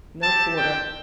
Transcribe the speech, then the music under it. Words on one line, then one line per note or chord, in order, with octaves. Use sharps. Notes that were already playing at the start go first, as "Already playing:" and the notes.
No quarter.
C4 G4 A5
G5